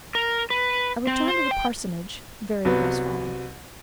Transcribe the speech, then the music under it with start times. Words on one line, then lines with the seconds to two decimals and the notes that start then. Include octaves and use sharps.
I returned to the parsonage, very crestfallen.
0.15 A#4
0.50 B4
1.07 C4
1.28 C5
1.51 G5
2.65 C2 F#3 B3